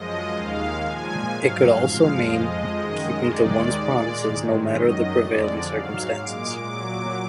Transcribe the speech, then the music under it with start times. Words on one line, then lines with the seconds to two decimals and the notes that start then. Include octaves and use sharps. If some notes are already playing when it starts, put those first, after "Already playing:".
It could also mean keeping to one's promises no matter the prevailing circumstances.
Already playing: F#2 F3 G#3 D#5
0.36 D#2 D#3 G#3 F5
0.84 A#2 F3 G#3 G#5
1.33 G#2 F#3 F5
1.82 F2 F3 G#3
2.30 F2 F3 G#3 D#5
2.78 F#2 D#3 G#3
3.27 D#2 D#3 G#3 D5
3.75 A#2 G#3
4.24 G#2 D#3 G#3
4.72 F#2 D#3 F#3 D#5
5.21 F2 D3 G#3 D5
5.70 G#2 F#3 F5
6.18 A#2 G#3 D6
6.67 A#2 F#3 D6